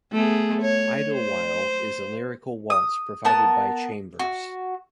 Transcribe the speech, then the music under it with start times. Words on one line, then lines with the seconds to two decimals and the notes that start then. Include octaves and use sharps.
"Idle While" is a lyrical waltz provided by Chambers.
0.12 A3 B3 G#4
0.62 C#5
1.13 C5
2.70 D#6
3.25 B3 A#4 A5
4.19 F#4